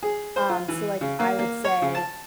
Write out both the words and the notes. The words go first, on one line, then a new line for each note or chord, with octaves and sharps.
Um, so like, I would say
G#4
C5
F4
E3
C#3
A#3
A#3
C#5
C#3
A5